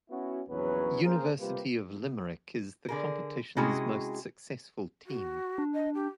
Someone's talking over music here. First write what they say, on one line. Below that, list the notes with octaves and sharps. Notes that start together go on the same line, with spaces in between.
University of Limerick is the competitions most successful team.
B3 C#4 E4 F#4
A#1 E2 F#3 B3 C#4 B4
A#3 C#4 G#4 A#4 C5
C3 G3 A#3 F4 G4 B4
D3 G#4 A#4
C3 G#3 C#4 E4 F#4 G#4
F#4
D4
D#5
G4